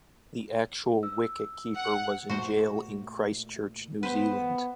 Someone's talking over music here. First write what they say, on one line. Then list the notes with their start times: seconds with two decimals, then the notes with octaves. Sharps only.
The actual wicket-keeper was in Jail in Christchurch, New Zealand.
1.03 E6
1.76 F#5
2.29 A#2 A3 A#3 F#4 C5
4.03 B3 B4 C5